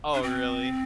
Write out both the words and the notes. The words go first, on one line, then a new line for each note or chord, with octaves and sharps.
Oh, really?
D4
C4